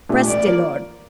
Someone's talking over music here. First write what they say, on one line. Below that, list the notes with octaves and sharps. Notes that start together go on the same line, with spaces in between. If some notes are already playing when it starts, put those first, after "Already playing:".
Bress de Lord!
A#2 A3 D4 G4
A1 D5
F3 A#3